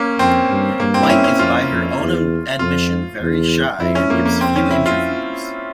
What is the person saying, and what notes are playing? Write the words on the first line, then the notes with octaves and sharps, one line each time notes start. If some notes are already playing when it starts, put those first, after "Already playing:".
White is-by her own admission-"very shy," and gives few interviews.
Already playing: A#3 C#4
F2 C4
G2
G2 A#3
C4
E4
C#4
C#4
F2 F4
F2
E2
F2 F4
E2
F2 E4
C#4
F2 A#3
A#3
C4
C#4
E4
F4